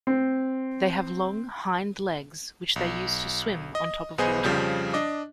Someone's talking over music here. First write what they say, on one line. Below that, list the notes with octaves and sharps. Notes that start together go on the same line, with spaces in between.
They have long hind legs which they use to swim on top of water.
C4
B1
D#5
B1 B3 G#4 C5 D#5 G#5
F2 C#3 F3 G3 G6
D4 D#5 D6